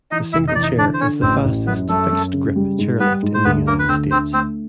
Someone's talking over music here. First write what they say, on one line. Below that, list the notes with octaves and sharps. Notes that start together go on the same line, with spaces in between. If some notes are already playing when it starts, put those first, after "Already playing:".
The Single Chair is the fastest fixed-grip chairlift in the United States.
E3 D#4 D#5
F1 E4 E5
D#4 D#5
E3 D5
D#4 D#5
D3 D4 D5
C5
D3 C#4 C#5
A1 C4 C5
A1
F#2 B3 B4
F#2 A3 A4
F#2
C#3
G3
G#2
G3 B3 B4
G#2
C5
D2 B3 B4
D3 A#3 A#4
B4
D2 C4 C5
D3 C4 C5
A3 C4 C5